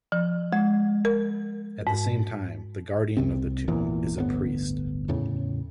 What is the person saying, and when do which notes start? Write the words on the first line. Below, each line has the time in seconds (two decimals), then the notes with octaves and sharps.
At the same time, the guardian of the tomb is a priest.
0.12 F3
0.53 G#3
1.05 A#4
1.87 G#2
3.17 C2 C3 C4
3.68 G#1 E2 A#2 E3
4.17 D1 G1 B3
5.08 E2 A2 C#3